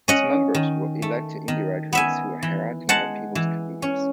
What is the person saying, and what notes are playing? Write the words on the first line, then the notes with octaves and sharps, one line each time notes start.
Its members were elected indirectly through a hierarchy of people's committees.
C#4 D#5 F#5
D#3
A3
D#3
B3 E5 G#5
E3
G#3 F#5 A5
E3
C#4